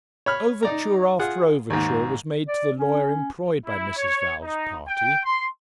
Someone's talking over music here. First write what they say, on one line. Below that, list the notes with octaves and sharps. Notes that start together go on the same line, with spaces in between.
Overture after overture was made to the lawyer employed by Mrs. Val's party.
C#5 B5 F6
D#4 D5 A#5
F4 G#4 F#5
D#2 G#2
D5
C#4
E4
C#5
D#4
G5
C6